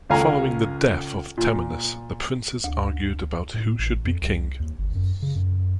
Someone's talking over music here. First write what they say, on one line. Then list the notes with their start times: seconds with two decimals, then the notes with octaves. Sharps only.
Following the death of Temenus, the princes argued about who should be king.
0.10 C#2 C#4 A4 F5 G#5 A#5
1.37 A#2
2.64 D2
3.54 A2
3.79 A1
4.05 F2
4.22 C2
4.60 D#2
4.79 G1
4.95 F#2
5.22 C#3
5.35 F#2